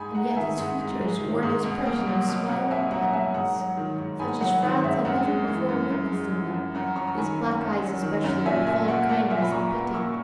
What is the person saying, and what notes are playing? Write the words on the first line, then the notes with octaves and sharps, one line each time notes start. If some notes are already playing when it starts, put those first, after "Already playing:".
And yet his features wore an expression of smiling tenderness, such as Franz had never before witnessed in them; his black eyes especially were full of kindness and pity.
Already playing: G#2 G#5 B5
G#3 F#5 A#5
D#3 E5 G#5
G#2 F#5
G#2
G#3
D#3
G#2
B2
A#3
F#3
B2
B2 F#5
A#3 E5 G#5
F#3 F#5 A#5
B2 E5 G#5
G#2 F#5 A#5
F#3
D#3
G#2
G#2 G#5 B5
F#3 F#5
D#3 F#5
G#2 E5
F#2 F#5
G#3
E3
F#2
F#2
G#3
E3
F#2
F#2 F#5 A#5
F#3 A#5 C#6
A#5
D#3 G#5 B5
F#2
F#2
F#3
D#3
F#2
A#2 E5 G#5
A#2 E5 G#5
A#3 F#5
A#3 F#5
A#2 E5 G#5
B5
A#2 A#5 C#6
A#3
A#3 C#6 E6